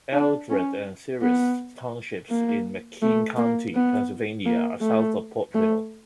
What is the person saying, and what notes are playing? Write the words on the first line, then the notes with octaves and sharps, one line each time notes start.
Eldred and Ceres townships in McKean County, Pennsylvania, are south of Portville.
D4
C#4
B3
A#3
A3
A#3
B3
A#3
A3
A3